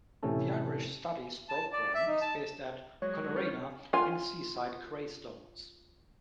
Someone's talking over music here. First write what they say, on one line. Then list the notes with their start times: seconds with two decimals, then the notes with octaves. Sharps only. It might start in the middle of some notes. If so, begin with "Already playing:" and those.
The Irish Studies Program is based at Coolnagreina in seaside Greystones.
0.23 A2 C3 E3 A3 C#4 A4
1.49 A5
1.73 D5
1.94 E5
2.07 D#4
2.21 A5
3.02 F#3 G#3 C#5
3.36 G3 C#4 F4
3.93 F4 G#5